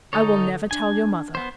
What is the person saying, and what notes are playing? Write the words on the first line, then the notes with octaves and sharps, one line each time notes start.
I will never tell your mother.
D3 D#4 A4 C#5
D4 G#5
B3 C5